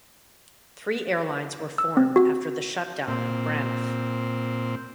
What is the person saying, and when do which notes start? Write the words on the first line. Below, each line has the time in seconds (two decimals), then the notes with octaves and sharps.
Three airlines were formed after the shutdown of Braniff.
1.78 E6
1.97 C4
2.16 F#4
3.08 A#2 C4